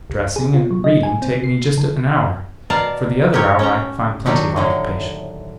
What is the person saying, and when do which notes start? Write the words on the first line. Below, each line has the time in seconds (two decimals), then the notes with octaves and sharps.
Dressing and reading takes me just an hour; for the other hour I find plenty of occupation.
0.10 C2
0.36 G#4
0.54 F4
0.71 F#3
0.84 D#5
1.03 G#5
1.22 C4
1.44 C7
1.78 D3
2.70 B2 A#4 D5 F5 A5 A#5
3.33 F#4 G4 A#4 C#5
3.59 C#4 G5 A5 A#5
4.26 D#3 F#3 D4 F#4 G4
4.56 A2 D3 D#3